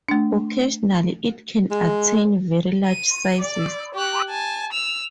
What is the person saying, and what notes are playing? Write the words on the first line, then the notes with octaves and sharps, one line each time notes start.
Occasionally it can attain very large sizes.
A3 D4
G#3
D#7
D5
G4 F#6
G#5 A5
E6 F7